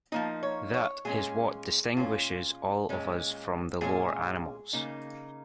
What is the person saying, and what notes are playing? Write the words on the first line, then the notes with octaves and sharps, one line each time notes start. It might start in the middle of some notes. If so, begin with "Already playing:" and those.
That is what distinguishes all of us from the lower animals.
F3 A#3 D#4 D#5
C#5
C#5
A#2 G#3 C#4 G#4
A#2 G#3 C#4 F4
A#2 G#3 C#4
A#2 G#3 C#4 G#4
C#3 A#3 D#4